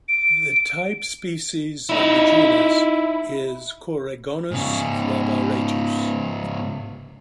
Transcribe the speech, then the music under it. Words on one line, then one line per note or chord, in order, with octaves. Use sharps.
The type species of the genus is "Coregonus lavaretus".
D7
D#4 E4
G#2 C#3